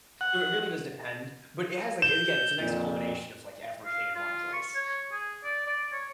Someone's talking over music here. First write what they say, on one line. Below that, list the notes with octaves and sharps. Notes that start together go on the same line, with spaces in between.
so it really does depend, but it has, like, and again, it's a nice combination of, like, everything in one place.
F#5
G6 E7
F2 A#2
F5
F4
C#6
C#5
G#4
D5
D5
C#5